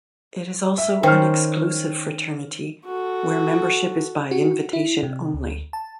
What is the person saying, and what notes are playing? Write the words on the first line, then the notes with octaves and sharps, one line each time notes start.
It is also an exclusive fraternity where membership is by invitation only.
E5
D#3 C#4 C5 G5 F6
F#4 A4
F#4
E4
C3
D2
A5